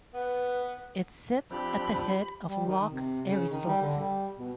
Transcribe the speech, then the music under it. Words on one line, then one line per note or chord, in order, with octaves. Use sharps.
It sits at the head of Loch Erisort.
B3 B4
F3 C4 D4 F4 G4 B5
G3
D#3
C3
C#3
D#3
G3
D3
G3
B2